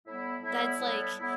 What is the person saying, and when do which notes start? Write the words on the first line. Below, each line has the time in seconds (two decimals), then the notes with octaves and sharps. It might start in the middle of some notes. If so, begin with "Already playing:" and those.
"That's, like
0.03 A2 G3 B3 E4
0.41 A2 G3 B3 E4
0.80 A2 G3 B3 E4
1.19 A2 G3 B3 E4